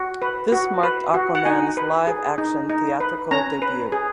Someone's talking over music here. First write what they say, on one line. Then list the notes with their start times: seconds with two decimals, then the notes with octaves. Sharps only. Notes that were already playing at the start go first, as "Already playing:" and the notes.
This marked Aquaman's live action theatrical debut.
Already playing: F#4
0.22 B4
0.52 F#4
0.83 B4
1.14 F#4
1.35 F#5
1.45 D#4 G#5
1.77 B4
2.07 G#4
2.38 D#4
2.70 D#4
3.00 B4
3.31 C#4 A#5
3.62 B4
3.92 G#4